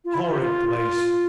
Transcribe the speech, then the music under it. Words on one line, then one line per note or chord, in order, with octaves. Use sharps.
Horrid place!
F4
E4
F4
G4
F4
F4